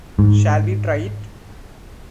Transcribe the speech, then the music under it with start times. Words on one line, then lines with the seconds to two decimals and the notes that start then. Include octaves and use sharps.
Shall we try it?
0.19 G#2